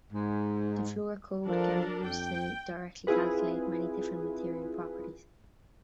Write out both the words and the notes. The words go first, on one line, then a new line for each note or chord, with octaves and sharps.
The Fleur code can be used to directly calculate many different material properties.
G#2
F3 D4 A4 A#4
F2 G5
C4 E4 F4 G#4 B4